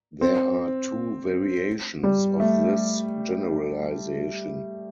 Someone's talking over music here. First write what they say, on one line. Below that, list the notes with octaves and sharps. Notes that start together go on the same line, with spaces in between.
There are two variations of this generalization.
C4
G3
A3